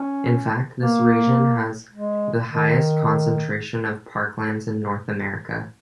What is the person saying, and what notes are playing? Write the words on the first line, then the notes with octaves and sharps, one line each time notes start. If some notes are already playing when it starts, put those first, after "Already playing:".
In fact, this region has the highest concentration of parklands in North America.
Already playing: C#4
A#3
G#3
D#3